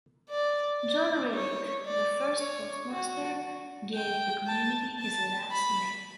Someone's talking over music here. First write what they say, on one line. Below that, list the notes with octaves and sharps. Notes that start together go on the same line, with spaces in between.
John Reddick, the first postmaster, gave the community his last name.
D5
D5
C#5
D5
C#5
F#4
G5
A5
A5
B5